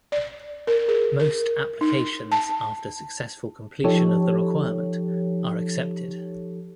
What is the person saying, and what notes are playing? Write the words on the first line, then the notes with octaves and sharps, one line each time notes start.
Most applications after successful completion of the requirement, are accepted.
D5
A#4
G#4
A#4
D#4
A5
F3 D#4 G4 A4 C#5